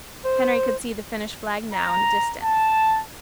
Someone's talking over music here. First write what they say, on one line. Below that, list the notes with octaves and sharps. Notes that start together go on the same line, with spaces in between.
Henry could see the finish-flag now in the distance.
C5
A#5
A5